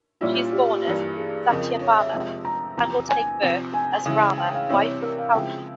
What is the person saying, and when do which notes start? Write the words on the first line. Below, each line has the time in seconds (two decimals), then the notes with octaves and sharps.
She is born as Satyabhama and will take birth as Rama wife of Kalki.
0.21 A#2 G3 C#4 E4 F4
0.52 G4
0.85 G2 E3 A#3
1.17 G#4
1.49 F2 C#3 F3 C4 F4 A#4
1.81 C#5
1.97 E5
2.13 F2 C3 F3 G#3 C4
2.45 A#5
2.77 E2 C3 F3 C4 A#5
3.09 G#5
3.41 C3 F3 C4 G4
3.74 G#5
4.06 C#3 E3 G#3 E4
4.38 G5
4.54 F5
4.69 C3 E3 G3 C4 E4 C#5
5.01 A#4
5.18 F5
5.34 C#3 F3 G#3 C4 E4 G5